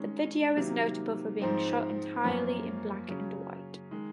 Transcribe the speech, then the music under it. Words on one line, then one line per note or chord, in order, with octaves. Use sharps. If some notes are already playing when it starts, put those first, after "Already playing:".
The video is notable for being shot entirely in black-and-white.
Already playing: D#3 G#3 C#4
C3 D#3 F#3 A#3
G#2 F3 C4 D#4
F#2 F3 A#3 C#4
C#3 F#3 C#4
D#3 G#3